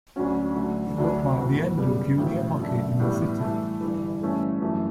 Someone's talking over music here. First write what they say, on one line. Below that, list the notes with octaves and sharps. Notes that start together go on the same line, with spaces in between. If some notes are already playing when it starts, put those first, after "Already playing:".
It looked like the end of Junior hockey in the city.
D2 D3 F#3 C#4 F#4
D2 D3 F#3 A3
D2 D3 F#3 A3 D4
A2 E3 B3 F#4
F#2 C#3 G3 B3
A1 A2 F#3
F#2 D3 A3
A2 E3 G3 B3
G2 E3 A3
G1 G2 E3
G1 G2 E3 A3 C#4
F#2 E3 A3